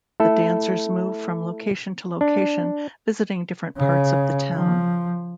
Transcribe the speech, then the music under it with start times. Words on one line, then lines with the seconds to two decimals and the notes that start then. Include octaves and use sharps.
The dancers move from location to location, visiting different parts of the town.
0.20 A3 E4 A4
2.21 D4
3.77 C#3
4.54 F3